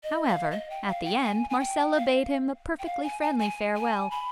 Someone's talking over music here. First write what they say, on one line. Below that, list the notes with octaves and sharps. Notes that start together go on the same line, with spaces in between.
However, at the end, Marcella bade him a perfectly friendly farewell.
D#5
F5
D#5
G5
F5
G5
G#5
G#5
G5
F5
G5
F5
G#5
G#5
G#5
G#5
B5